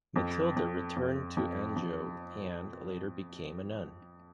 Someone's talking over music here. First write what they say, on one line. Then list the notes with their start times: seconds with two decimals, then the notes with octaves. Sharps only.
Matilda returned to Anjou and later became a nun.
0.16 F2
0.56 F2
0.96 F2
1.37 F2
1.76 F2